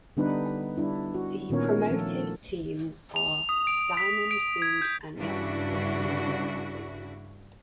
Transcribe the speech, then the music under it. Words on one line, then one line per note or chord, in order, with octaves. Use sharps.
The promoted teams are Diamond Food and Rangsit University.
D3 G3 B3 D4 D#4 B4
G3 D4 E4
F#4
A#2 D#3 B3 C#4 A#4 C#5
F3 A3 A4
F7
D#6
D7
B6
D7
G#6
G6
G2 C#3 D4 E4 F#4